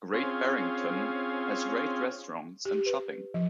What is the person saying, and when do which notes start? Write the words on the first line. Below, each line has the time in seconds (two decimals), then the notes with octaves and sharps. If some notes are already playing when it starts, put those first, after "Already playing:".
Great Barrington has great restaurants and shopping.
0.14 C4 C#4 F4 G#4
2.65 G4
2.86 B4
3.34 F3